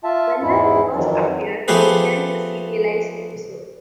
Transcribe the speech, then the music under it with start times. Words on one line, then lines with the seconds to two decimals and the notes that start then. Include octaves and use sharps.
Weller first appeared in the tenth serialised episode.
0.04 F4 E5 A5
0.43 E2 G#2 G#3 E4
0.95 F2 D#3 E3 F#3
1.68 F3 A3 B3 G4 G#4 B4